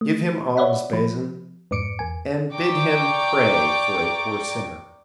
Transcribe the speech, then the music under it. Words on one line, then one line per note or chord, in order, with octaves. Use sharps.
"Give him alms, Bazin, and bid him pray for a poor sinner."
A3
C#5 D5 E5 F#5 B5
F3
F2 G#2 D6 C#7 D7
E2 G#5
D5 G5 A#5 C#6 D6